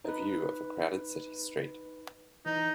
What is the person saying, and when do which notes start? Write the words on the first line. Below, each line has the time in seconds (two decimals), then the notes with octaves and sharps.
A view of a crowded city street.
0.04 D#4 B4
2.46 E3 D#4